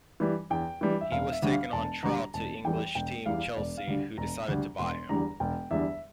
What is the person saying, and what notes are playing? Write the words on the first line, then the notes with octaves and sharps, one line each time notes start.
He was taken on trial to English team Chelsea, who decided to buy him.
E3 G3
E2 G5
E3 G3
E5
E1 F5
E5
D2 D3 G3
F5
E1 A5
D2 D3 G3 A#5
E1 A5
E2 E3 G3 G5
E1 G5
E2 E3 G3 F5
E1 D5
F5
D2 D3 G3
E1 A#5
D2 D3 G3
E1 C6
E2 D3 G3 A#5
E1 G5
E2 D3 G3 E5